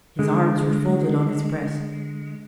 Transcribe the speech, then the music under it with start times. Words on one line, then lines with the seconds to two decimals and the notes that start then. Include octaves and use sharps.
His arms were folded on his breast.
0.19 D3 G#3